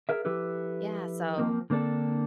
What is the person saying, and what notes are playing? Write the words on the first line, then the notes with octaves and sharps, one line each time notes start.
yeah so
G#4 A#4 E5
F3 E4 G4 A4 B4
F3 A#3 C4
D3 A#3 C4 D4 A4